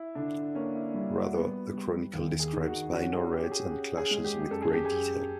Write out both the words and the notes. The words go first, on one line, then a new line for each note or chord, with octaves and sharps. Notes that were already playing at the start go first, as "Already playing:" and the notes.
Rather the chronicle describes minor raids and clashes with great detail.
Already playing: E4
D3 D4
A#3 C#4
E4
G3 E4
F#4
B3
G3
D#2
G#4
D#3
F#4
C#4 F#4
G#4
C#4 G4
G#4
C#4
G#4
G#3
G4
F#2 A4
G#4
G4
G#4
F#2